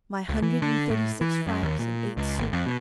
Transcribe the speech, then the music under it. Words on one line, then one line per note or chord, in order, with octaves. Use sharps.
My hundred and thirty-six francs and eight sous.
C#2
E3
D3
A2
E3
F#2
D#2
A#2
C#2
G#1
F2
B2